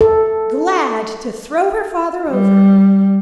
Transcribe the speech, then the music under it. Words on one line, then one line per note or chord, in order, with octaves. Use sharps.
Glad to throw her father over!
A4
G3